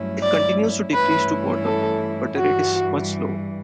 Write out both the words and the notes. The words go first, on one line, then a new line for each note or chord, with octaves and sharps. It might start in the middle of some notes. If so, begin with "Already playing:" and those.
It continues to decrease to the bottom, but the rate is much slower.
Already playing: G2 F#3 A3 C#4 E4
D5
G2 E3 A3 C#4 E4 B4
A4
G2 E3 G3 F#4